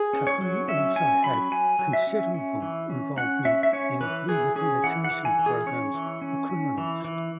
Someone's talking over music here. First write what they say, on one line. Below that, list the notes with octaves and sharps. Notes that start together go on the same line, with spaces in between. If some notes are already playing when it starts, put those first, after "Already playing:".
Kopu also had considerable involvement in rehabilitation programs for criminals.
Already playing: G#4
C#4
C#5
F#3
C#4 E5
C#4 G#5
F#3 B5
F#3 G#5
F#3
E5
C#4
C#4
E3
C#4
C#4 F#5
C#4 E5
E5
C#4 C#5
E3 B4
E3 G#4
C#4 G#4
E3 F#5
F#5
E3
G#5
E3
G#4
C#4 C#5
E3
C#4
C#4
E3
E3